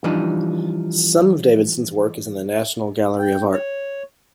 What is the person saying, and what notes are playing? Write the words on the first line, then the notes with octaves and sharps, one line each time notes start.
Some of Davidson's work is in the National Gallery of Art.
E3 F3 G3 D4 D#4
G5
C#5